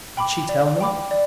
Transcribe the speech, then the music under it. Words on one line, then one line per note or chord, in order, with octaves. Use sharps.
Would she tell me?
G5 B5 D6
D5
G5 B5 D6
D5